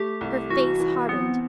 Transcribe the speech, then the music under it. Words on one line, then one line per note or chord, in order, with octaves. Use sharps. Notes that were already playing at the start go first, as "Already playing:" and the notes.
Her face hardened.
Already playing: A3 G4
C2
E3 F#4
E3
B3 C4